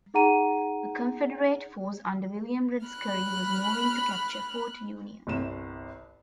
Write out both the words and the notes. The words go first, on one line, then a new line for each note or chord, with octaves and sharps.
A Confederate force under William Read Scurry was moving to capture Fort Union.
D#4 G#4 F#5 A#5 D#7
B5 F6 F#6
G1 C2 E7